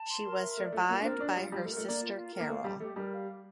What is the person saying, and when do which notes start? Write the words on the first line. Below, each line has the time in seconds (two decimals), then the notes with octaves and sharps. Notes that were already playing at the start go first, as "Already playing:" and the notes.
She was survived by her sister Carol.
Already playing: A5
0.09 C6
0.25 A#4
0.41 E5
0.57 A3 D5
0.72 A3 F4
0.88 A#3 F4
1.00 D4
1.05 C4 A#4
1.20 D4 D5
1.36 G3 F4
1.52 G3 F4
1.65 A3
1.68 A#4
1.77 A3
1.84 A#3 D5
2.01 F4
2.17 F4
2.32 A#4
2.40 A#3
2.48 A3 F5
2.64 G3 G4
2.80 A3 G4
2.96 G3 A#4
3.13 F5
3.27 G4